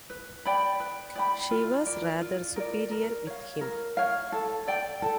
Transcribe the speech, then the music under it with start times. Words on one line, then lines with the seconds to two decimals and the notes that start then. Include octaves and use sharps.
She was rather superior with him.
0.10 B4
0.45 D5 G5 B5
0.80 B4
1.15 D5 G5 B5
1.51 F4
1.86 A#4 D5
2.21 F4
2.56 A#4 D5
2.91 A#4
3.27 C#5 F5
3.61 A#4
3.97 C#5 F5
4.32 A4
4.68 D5 G5
5.02 A4